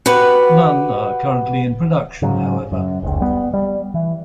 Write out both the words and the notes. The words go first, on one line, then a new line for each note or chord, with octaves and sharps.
None are currently in production however.
F#4 G4 B4 F#5
G#2 C#3 F#3
F#2
F1 C#2
G3 B3
G3
E3